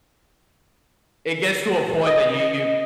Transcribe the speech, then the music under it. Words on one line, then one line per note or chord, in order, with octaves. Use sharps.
It gets to a point that you
D#5